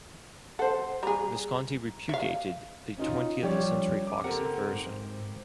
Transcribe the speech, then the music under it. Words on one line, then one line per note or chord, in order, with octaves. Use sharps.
Visconti repudiated the Twentieth-Century Fox version.
A4 C5 F#5
G3 G#4 A#5
E5 F5
C#4 D#4 F4
F3 G3 C#4 G4 C#5 D5
D6
C4 G4 A4 A#4 F#5
G#2